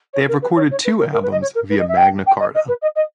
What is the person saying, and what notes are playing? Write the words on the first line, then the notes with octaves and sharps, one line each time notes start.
They have recorded two albums via Magna Carta.
C#5
A#4
B4
C#5
C#5
B4
A#4
A#4
B4
D#5
C#5
A#4
B4
D#5
E5
G5
G5
D#5
D#5
B4
D#5
D#5